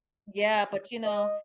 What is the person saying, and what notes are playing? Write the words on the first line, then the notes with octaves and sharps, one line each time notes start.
Yeah, but, you know,
D#5